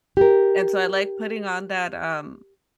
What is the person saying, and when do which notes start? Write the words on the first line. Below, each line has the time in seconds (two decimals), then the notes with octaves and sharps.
And so, I like putting on that, um,
0.17 G4 A#4